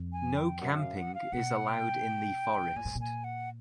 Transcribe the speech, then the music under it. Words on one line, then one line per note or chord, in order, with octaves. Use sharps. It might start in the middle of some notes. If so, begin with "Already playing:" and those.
No camping is allowed in the forest.
Already playing: F2
G#5
G5
F#2 F#5
F5
F#5
F5
B2 F#5
G5
A#2 G#5
A2
A#2
G#5
F#5